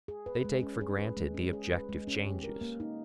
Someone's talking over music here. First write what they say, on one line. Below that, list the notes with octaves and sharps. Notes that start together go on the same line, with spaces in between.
They take for granted the objective changes.
G#4
B4
G#3
C#4
G#4
B4
G#3
C#4
G#4
B4
G#3
C#4
G4
A#4
A#3
D#4